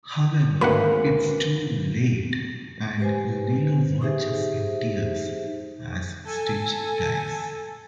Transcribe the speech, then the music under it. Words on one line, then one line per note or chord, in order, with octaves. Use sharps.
However, it's too late and Lilo watches in tears as Stitch dies.
G#1 D2 G#3 A#3 B4 F#5
G4 B4 C5 G#5
D#4 G4 G#4 C5 E5
A4 G#5